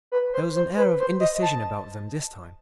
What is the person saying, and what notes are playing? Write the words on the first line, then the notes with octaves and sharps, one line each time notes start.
There was an air of indecision about them this time.
B4
C5
C5
B4
C5
D#5
A5